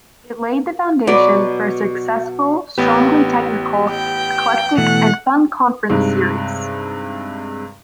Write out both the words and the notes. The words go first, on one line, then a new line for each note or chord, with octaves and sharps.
It laid the foundation for a successful, strongly technical, eclectic and fun conference series.
B2 F#3 B4 D5
A1 B3 G4 B4
G5
B2 E3 A3 F#5
G2 C3 G#3 D#4